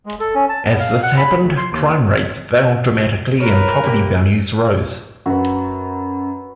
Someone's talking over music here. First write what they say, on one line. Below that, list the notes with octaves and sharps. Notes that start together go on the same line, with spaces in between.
As this happened, crime rates fell dramatically and property values rose.
G#3
A4
C#4
A5
B3
F5
F#5
B5
D2
C6
D#2
A#4 B4 C#5
C3 A#3 G4
F#2 F#4 B4